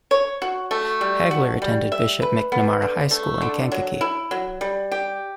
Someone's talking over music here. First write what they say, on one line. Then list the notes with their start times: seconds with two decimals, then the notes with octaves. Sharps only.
Hagler attended Bishop McNamara High School in Kankakee.
0.11 C#5
0.42 F#4
0.71 A3
1.01 G3
1.31 F#4
1.62 G3
1.92 E5
2.22 B4
2.52 B3
2.82 D3
3.11 A3
3.42 D3
3.72 F#3
4.01 E4
4.31 F#3
4.61 G3
4.92 G4